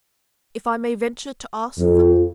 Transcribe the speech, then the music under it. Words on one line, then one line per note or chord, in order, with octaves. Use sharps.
'If I may venture to ask them.'
F2